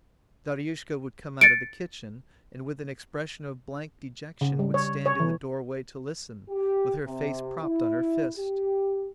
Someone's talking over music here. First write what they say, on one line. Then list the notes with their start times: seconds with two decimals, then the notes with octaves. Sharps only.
Daryushka would come out of the kitchen and with an expression of blank dejection would stand in the doorway to listen, with her face propped on her fist.
1.41 A6 C#7 D7
4.41 C#3
4.59 G3
4.74 C#5
5.06 C#5
5.20 E3
6.48 G4
7.05 C3
7.62 E4
8.37 G4